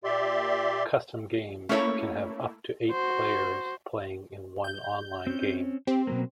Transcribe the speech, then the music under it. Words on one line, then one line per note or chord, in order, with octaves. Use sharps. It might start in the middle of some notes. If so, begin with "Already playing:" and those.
Custom games can have up to eight players playing in one online game.
A#2 G4 D5 E5 C6
A3 A#3 C#4 E4 C#5
F#4 C5
G6
C4 C#4
C4 G4
B2 F#3 A#3